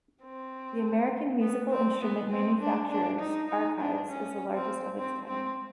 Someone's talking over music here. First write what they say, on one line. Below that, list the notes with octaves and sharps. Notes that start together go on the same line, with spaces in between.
The American musical instrument manufacturers archives is the largest of its kind.
C4
B3
C4
B3
C4
D4
D4
D#4
D#4
D4
C#4
C4
C4
C4